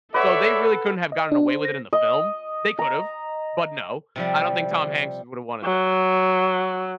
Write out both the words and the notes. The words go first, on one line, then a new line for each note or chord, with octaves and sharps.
So, they really couldn't have gotten away with it in the film. They could have, but no. I don't think Tom Hanks would have wanted that.
A4 B4 C#5 D5 E5 F#5 C#6
D#5
D4
C5
A#6
D#5
A#5
C3 F3 G3
F#3